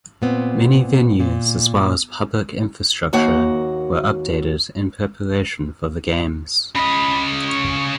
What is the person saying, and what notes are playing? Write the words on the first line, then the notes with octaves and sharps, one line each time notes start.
Many venues as well as public infrastructure were updated in preparation for the Games.
A#2 B3 C4
A#2
D#2 A#3 F#4 F#5
C#3 D#5 B5
C#6